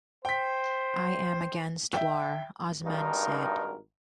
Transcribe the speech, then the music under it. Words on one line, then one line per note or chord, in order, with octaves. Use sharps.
"I am against war," Osman said.
C5 G5 B6
E5 G5
G#1 G2 D#4 A#4